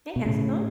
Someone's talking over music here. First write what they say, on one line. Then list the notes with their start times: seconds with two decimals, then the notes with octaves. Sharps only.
Hey, how's it going?
0.16 B2
0.25 A2 C#3